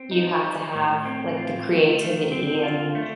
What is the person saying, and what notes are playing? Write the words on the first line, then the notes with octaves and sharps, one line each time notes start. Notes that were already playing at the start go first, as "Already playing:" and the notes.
you have to have, like, the creativity and
Already playing: C4
D#4
G3
A2
C4
F4
A3
D#3
C4
F4
A3